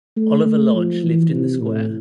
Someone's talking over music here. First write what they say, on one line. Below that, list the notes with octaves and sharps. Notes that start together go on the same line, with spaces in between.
Oliver Lodge lived in the square.
A3
A3
F3
E3
C3
A2